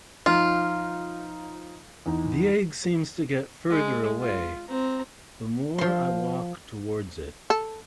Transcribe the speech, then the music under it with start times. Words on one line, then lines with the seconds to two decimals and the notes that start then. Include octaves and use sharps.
The egg seems to get further away the more I walk towards it.
0.26 F3 D#4 F4 F6
2.06 E2 D#4
3.70 G#3
4.20 F4
4.68 C4 A#5
5.78 F3 C6
7.50 A4